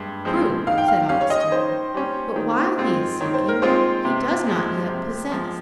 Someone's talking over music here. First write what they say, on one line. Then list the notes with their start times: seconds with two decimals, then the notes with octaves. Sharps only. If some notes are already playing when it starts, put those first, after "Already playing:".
"True," said Augustine, "but while he is seeking he does not yet possess."
Already playing: G2 G#3
0.25 F3 G#3 C4
0.67 D#3 F5
0.78 G5
0.88 F5
1.09 G3 C#4 F5
1.21 C#5
1.30 D#5
1.52 D#3 C5
1.94 G3 C#4
2.36 D#3
2.78 G#3 C4 F4
3.20 D#3 C#5
3.34 C5
3.48 A#4
3.62 G#3 C4 F4 C5
4.05 C3
4.47 F3 G#3
4.89 C3
5.32 F3 G#3